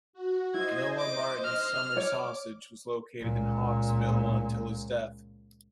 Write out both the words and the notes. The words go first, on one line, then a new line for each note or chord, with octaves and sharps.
Noah Martin's summer sausage was located in Hawkesville until his death.
F#4
E4 C5 D#5 G#6
D6
F6
C#5 D5 D6
C#2 A#2